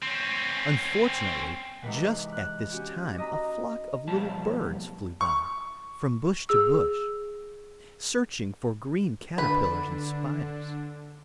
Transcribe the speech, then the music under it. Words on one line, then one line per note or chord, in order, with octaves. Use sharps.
Unfortunately, just at this time a flock of little birds flew by, from bush to bush, searching for green caterpillars and spiders.
C4 C#4
G#2 C3 E3 B4 F#5
F#6
C#4 F#4 G4
D#5 A#5 B5
B1 F2 A2 G3 A5
C#6
G#4 E6
D3 D4 B4